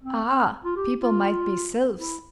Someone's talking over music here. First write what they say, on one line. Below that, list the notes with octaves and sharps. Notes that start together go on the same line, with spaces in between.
Ah! people might be sylphs.
C4
C4
F4
G4
F4
E4